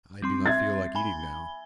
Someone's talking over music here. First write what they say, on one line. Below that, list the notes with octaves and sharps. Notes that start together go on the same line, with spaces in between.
I do not feel like eating now.
G3 C4 C6
E5 G#6 A6
G#5 B5 G7